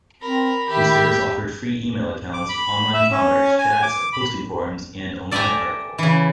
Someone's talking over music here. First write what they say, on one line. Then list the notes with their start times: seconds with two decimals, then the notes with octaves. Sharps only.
The service offered free email accounts, online commerce, chats, posting forums, and online articles.
0.22 C4 A#4 B5
0.69 D#3 G4 E5
2.33 D6
2.49 B5
2.94 E5
3.11 C#4
3.58 G#5
3.83 D6
4.13 B5
5.31 A4 D5 E5 G5 G#5 A#5
5.98 C#3 E3